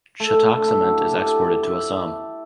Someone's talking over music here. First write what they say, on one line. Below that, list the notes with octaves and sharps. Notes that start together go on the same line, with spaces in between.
Chhatak Cement is exported to Assam.
A3
A3
A3
D4
E4
F#4
G4
A4
G4
E4